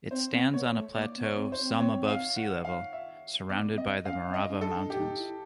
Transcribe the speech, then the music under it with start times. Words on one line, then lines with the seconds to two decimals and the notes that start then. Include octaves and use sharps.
It stands on a plateau some above sea level, surrounded by the Morava Mountains.
0.11 C4 C5
0.32 C4
0.53 B3 C#5
0.74 A3
0.95 A#3 D5
1.17 B3
1.23 C#5
1.37 C4
1.52 C5
1.59 C4
1.80 C#5
2.08 F5
2.36 F#5
2.65 F5
2.93 E5
3.49 B3 D5
3.71 B3
3.77 C4 D#5
4.05 C#4 F5
4.30 C4
4.34 C#4 D#5
4.48 C#4
4.54 D4
4.61 A4
4.76 D4
4.90 G4
4.97 D#4
5.18 E4